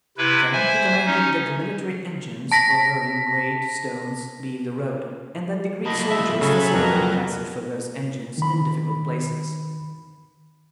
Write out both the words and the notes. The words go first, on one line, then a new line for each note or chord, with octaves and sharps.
Then he commanded that the military engines for hurling great stones leave the road, and that the Greek soldiers facilitate passage for those engines in difficult places.
C3 E4 B4
C5 E5 G#5
C#4 D#4
A5 A#6 B6
F#3 A#3 D#5 A5 B5
G#2 F3 E5
C#3 F#3 A4 E5 G#5 B5
F2 A#4 B4 A#5
D#3 B5